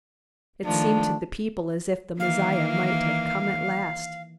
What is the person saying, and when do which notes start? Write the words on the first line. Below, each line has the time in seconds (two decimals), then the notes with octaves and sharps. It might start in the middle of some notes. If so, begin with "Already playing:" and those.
It seemed to the people as if the Messiah might have come at last.
0.64 D#3 F3 A3 D4
2.20 D#3 E3 A#3 F5